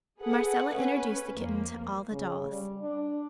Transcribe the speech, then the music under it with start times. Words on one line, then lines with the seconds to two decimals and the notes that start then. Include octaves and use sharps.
Marcella introduced the kitten to all the dolls.
0.19 G#4 A4 B4 F#5
0.74 C#4 B4
1.35 F2 A#3
2.11 C#3
2.51 G3
2.82 D4